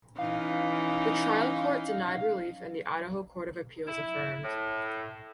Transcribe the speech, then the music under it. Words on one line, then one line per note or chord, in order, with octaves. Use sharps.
The trial court denied relief and the Idaho Court of Appeals affirmed.
E3 C#4 D#4 F5
E4
A2